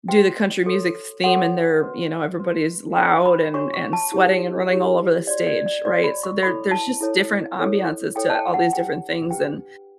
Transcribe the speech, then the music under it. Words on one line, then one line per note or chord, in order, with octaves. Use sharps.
do the country music theme and they're everybody's loud and and sweating and running all over the stage, right? So, there there's just different ambiences to all these different things, and,
F#4 B4 G5
F#4 A4 C#5
F#4 A4 C#5 F#5
F#4 B4
F#4 B4
D4 F#4 C#5 G5
B5
D4 F#4 C#5 C#6
C#6
A5
E4 G4 C#5
E4 G4 C#5
F#4 C#5 D5
D5
D5
F#4 C#5 D5
B5
C#6
E4 A4 C#5 B5
A5
E4 A4 C#5
E4 A4 C#5
E4 A4 C#5 G5
A5
G5
F#5
D4 G4 B4 G5
D4 G4 B4 G5